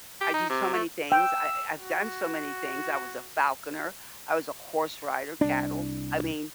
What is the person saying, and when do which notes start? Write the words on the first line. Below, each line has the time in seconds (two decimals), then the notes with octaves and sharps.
I do so many things, I I've done so many things; I was a falconer, I was a horse rider cattles. I mean,
0.21 G4
0.34 D#4
0.50 C3
0.73 A3
1.12 G5 E6
1.76 F#4
5.41 C2 D4